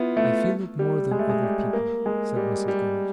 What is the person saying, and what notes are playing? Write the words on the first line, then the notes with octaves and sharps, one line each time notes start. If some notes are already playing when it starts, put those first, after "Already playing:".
'I feel it more than other people,' said Mrs. Gummidge.
Already playing: B3 E4 F4
A3
G3
G#3
A3
G#3
G3
A#3
G#3
G3
G3